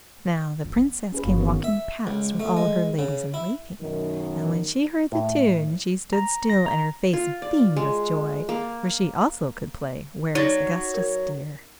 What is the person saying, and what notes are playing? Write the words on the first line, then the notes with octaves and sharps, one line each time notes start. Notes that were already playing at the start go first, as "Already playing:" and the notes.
Now the Princess came walking past with all her ladies-in-waiting, and when she heard the tune she stood still and her face beamed with joy, for she also could play 'Where is Augustus dear?'
D3 D4
B3
C#4 G#4 B4
G1 A#3 F#4
D#3 B3 G#4
E5
C#2
A3
G#3
C#3
E4
F#2 B2 D#3
A2
A#5
A#6
A#5
F4
D5
G#3
A#3
F#3 D#4 A6 A#6
A#4